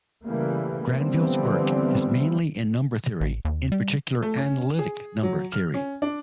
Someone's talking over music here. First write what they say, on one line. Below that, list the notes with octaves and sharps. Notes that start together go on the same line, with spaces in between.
Granville's work is mainly in number theory, in particular analytic number theory.
C#3 E3 G3 A3 A#3
D3 E3 F3 G3 B3 C4
A1
D#2
G3
A3
C#4
G#4
F#3
F6
C#4
D4